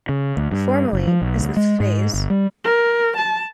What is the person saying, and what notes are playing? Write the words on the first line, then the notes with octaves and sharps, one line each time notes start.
Formally, is the phase.
C#3
D2
G2
F#1
F3
B1
D2
G#3
G#2
G1
G3
A#4
A5